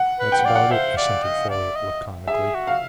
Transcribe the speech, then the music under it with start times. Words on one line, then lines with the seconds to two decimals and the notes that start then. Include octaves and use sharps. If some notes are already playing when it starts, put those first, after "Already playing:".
"That's about it," assented Folliot laconically.
Already playing: F#5
0.20 B4
0.32 G5
0.39 F#5
0.45 D5 F5
0.56 F#5
0.71 C5 E5
0.97 D5
1.23 D#5
1.50 D5
1.76 D#5
2.28 G#4 E5
2.55 F#4
2.67 F5